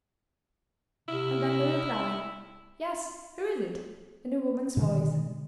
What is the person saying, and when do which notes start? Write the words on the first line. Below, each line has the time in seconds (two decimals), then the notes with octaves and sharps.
And then the reply, 'Yes, who is it?' in a woman's voice.
1.08 C3 E4
4.77 B2 D3 D#3 G#3